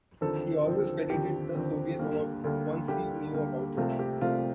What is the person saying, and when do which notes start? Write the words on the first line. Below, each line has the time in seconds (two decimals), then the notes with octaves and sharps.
He always credited the Soviet work once he knew about it.
0.21 D#2 D3 F3 C4 A4
0.66 D#2 D3 F3 C4
1.10 D#2 D3 F3 C4 G4
1.55 D#2 D3 F3 C4
1.99 D2 D3 G3 A#3
2.44 D2 D3 G3 A#3
2.88 D2 D3 G3 A#3 G4
3.33 D2 D3 G3 A#3
3.77 C2 C3 F3 A3 C4 F4
3.99 G4
4.21 C2 C3 F3 A3 C4 F4